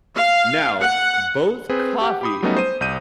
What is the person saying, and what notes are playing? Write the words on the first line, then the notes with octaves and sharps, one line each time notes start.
Now, both coffee
F5
F#5
C4 G#4 B4
G4 F#5
G4 B5 D#6
F#3 G3 A3 B3 C#4 D#4
C5 D#7
C2 G6 D#7